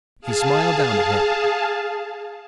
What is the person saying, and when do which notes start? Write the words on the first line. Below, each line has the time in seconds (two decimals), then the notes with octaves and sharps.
He smiled down at her.
0.21 G#4 F5 A5